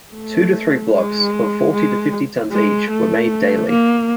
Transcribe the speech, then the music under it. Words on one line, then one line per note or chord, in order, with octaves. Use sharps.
Two to three blocks, of forty to fifty tons each, were made daily.
A3
G#3
G#3
G#3
A3
A#3